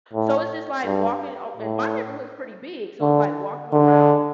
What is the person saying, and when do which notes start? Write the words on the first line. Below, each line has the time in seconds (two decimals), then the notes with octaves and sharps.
So it's just like walking oh, and my neighborhood is pretty big, so it's like walking around
0.13 A2
0.85 G2
1.57 A2
3.01 D3
3.73 D3